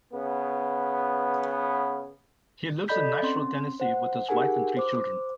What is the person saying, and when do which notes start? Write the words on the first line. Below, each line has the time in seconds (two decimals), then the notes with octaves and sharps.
He lives in Nashville, Tennessee with his wife and three children.
0.14 C#3 B3
2.88 A4 D5 D#5 B5 G6 B6
3.22 C4 C#4 C6
3.80 C5 F#5
4.29 D#4 G4 G#4 A#4 F#5 G#5
4.77 C5 D6